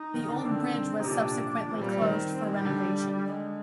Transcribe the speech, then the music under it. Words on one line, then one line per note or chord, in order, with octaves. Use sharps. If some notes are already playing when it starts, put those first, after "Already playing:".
The old bridge was subsequently closed for renovation.
Already playing: D#4
D#3
D3
D4
D3 C4
D#4
C3
A#2 D4
A#2 C4
G3 A#3
G3
C4
D#3
C4
G#3
G3
D3
G#3